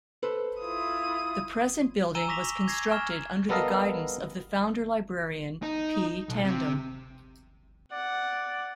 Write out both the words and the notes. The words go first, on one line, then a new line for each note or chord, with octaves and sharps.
The present building was constructed under the guidance of the founder librarian P. Tandon.
A4 B4 C5
E4 F4 D#6
G#5 A#5 E6 D#7 E7 G7
C#6 D6 A#6 B6 F7
G#6 A#6 C7
G#5 C#6 F6 E7
G3 B3 A4 A#4 D#5 F5
D#4
B1
C3
D5 F#5